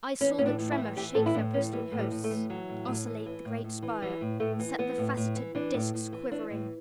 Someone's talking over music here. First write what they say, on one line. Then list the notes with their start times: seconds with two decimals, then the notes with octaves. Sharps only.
I saw the tremor shake their bristling hosts, oscillate the great spire, set the faceted disks quivering.
0.21 E3 C#4
0.39 A2 C#4
0.46 D4
0.59 A2
0.72 E4
0.78 E3
0.97 E3 G4
1.15 A2 A4
1.26 E4
1.34 A2 D4
1.53 E3 C#4
1.73 E3 G3
1.92 A2
1.99 G3
2.11 A2
2.24 A3
2.30 E3
2.49 E3 F#3
2.69 A2
2.87 A2
3.07 E3
3.26 E3
3.45 A2
3.64 A2
3.83 E3
4.02 E3 G3
4.21 A2
4.40 A2 A3
4.60 E3
4.78 E3 B3
4.98 A2
5.17 A2
5.36 E3
5.55 E3 D4
5.74 A2
5.94 A2
6.13 E3
6.31 E3 D4
6.50 A2